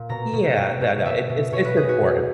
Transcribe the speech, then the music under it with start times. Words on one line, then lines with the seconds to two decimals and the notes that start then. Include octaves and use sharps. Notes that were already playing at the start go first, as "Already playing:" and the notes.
Yeah, no, no, it's it's it's important.
Already playing: A#2
0.09 B2 A#5
0.33 B2
0.57 B2
0.81 B2
1.05 B2 E5
1.29 B2
1.52 B2 C#5
1.65 B4
1.77 B2 G#4
1.89 F#4
2.01 B2